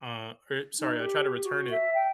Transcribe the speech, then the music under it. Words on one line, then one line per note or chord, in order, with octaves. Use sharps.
Uh, I sorry, I tried to return it
D#4
G4
F#4
E5
G5